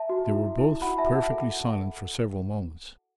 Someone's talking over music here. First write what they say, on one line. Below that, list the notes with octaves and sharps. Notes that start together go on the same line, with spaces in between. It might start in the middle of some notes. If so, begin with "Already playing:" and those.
They were both perfectly silent for several moments.
Already playing: E5 A5
F#4
E4
E4
F#4 F#5 B5
E5 A5
F#4
F#5
A4